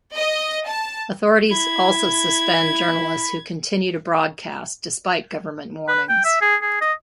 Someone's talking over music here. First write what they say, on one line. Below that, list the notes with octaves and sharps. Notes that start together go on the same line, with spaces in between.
Authorities also suspend journalists who continue to broadcast despite government warnings.
D#5
A5
E4 B5 G#6
B4
G5
E5
G#4
G#4
D#5